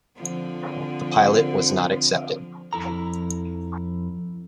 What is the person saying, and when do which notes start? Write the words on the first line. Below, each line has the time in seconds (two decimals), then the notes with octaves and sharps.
The pilot was not accepted.
0.17 D3 F3 C4
2.73 F2 E4 A4 A#5